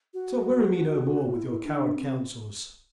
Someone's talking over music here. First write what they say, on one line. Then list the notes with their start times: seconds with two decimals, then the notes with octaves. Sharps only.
So weary me no more with your coward counsels.
0.14 F#4
1.35 E4
1.50 E4
1.65 D4
1.96 C4